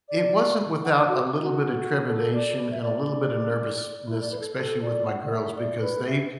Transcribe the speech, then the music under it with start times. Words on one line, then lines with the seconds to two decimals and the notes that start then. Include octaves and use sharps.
it wasn't without a little bit of trepidation and a little bit of nervousness, especially with my girls because they
0.09 D5
0.84 F#5
1.08 F#4
1.41 F#4
2.08 A4
2.33 D5
2.71 E5
2.82 D5
4.07 E4
4.21 D5
4.31 B4
4.39 A4
4.56 A4
4.81 D5
5.06 F#5
5.25 D5
5.31 E5
5.56 D5
5.81 B4
6.06 E5